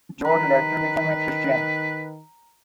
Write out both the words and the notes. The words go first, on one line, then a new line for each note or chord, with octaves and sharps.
Joad later became a Christian.
D#3 B4 A#5